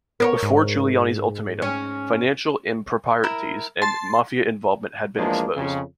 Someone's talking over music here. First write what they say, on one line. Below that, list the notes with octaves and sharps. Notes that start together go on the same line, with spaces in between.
Before Giuliani's ultimatum, financial improprieties and mafia involvement had been exposed.
B3 A#4 C5 C#5
G#2
C#4
E4 A#4
A5 C6 A6
E2 F3 G#3 A#3 D4
F2 C#3